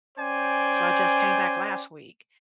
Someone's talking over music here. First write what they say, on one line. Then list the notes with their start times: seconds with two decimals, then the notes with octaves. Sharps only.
So I just came back last week,
0.18 C#4 C5 D5 G5 G#5